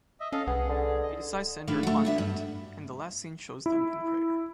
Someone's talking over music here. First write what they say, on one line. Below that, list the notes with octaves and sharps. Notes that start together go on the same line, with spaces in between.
She decides to enter a convent and the last scene shows them in prayer.
D#5 E5
C#4 A4 D#5 F5
C2 B3 G#4
D3
D#5
A2 D#3 D4 B4 F5
A3 F#4
B3 D4 E5
G2
E4